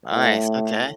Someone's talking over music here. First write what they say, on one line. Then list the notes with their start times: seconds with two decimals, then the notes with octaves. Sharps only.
Nice, okay.
0.12 A2